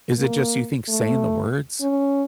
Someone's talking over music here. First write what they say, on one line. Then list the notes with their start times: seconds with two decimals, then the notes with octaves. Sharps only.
Is it just you think saying the words?
0.18 A#3
0.89 A3
1.81 C#4